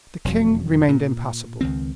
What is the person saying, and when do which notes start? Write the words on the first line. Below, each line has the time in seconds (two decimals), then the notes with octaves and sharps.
The king remained impassible.
0.25 E1 F2 F#3
0.89 A#2
1.61 C#2 D#3 C4